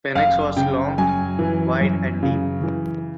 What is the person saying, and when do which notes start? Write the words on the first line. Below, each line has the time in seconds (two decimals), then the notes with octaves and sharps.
"Phoenix" was long, wide and deep.
0.15 F#1 F5
0.57 C#3 G5
0.98 F#2 G#5
1.39 E3
1.81 F#2
2.23 C#3
2.63 E3